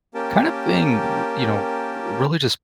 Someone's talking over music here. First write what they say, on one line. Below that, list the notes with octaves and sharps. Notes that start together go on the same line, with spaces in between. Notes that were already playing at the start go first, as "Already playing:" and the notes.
kinda being r you know, really, just,
A#3 C#4 G4 A#4 G5 A5